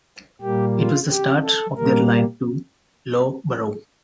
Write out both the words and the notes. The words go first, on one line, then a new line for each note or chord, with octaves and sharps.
It was the start of their line to Loughborough.
A#2 G3 A#3 G4
F4
G4
A4
A#2 G3 A#3 A#4